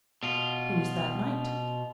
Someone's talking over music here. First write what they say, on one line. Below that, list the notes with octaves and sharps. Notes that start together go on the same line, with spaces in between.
Who is that knight?
B2 F4